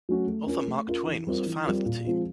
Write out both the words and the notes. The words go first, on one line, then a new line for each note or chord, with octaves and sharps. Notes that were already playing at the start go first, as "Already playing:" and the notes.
Author Mark Twain was a fan of the team.
F#3 A3 C#4 F#4
A3
C#4 F4 A#4
A3
C#4 F4 A#4
E3
G3 C4 F4 A#4
E3
G3 C4 F4 A#4
A#2
F3 G#3 C4 F4